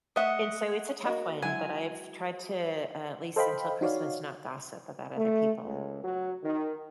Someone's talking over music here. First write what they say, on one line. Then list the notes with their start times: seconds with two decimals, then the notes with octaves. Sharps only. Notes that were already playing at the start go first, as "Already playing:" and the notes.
and so, it's a tough one, but I've tried to uh, at least until Christmas, not gossip about other people.
0.16 A3 D#5 E5 F#5
1.05 A#3 F#4 D#5
1.42 F#3 G#3 E4 G#5
3.36 A4 C5 D#5 F5 G5 B5
3.81 D#4 F#4 C#5 D5 F5
5.15 A3
5.64 C#2
6.03 F#3
6.43 D#3